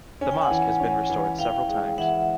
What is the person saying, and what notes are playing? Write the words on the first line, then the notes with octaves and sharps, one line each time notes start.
The mosque has been restored several times.
C#4 G#5
G5
F#5 G#5
E3
C#4
E3
E3 F5 G5
G#3
E3 E5 F#5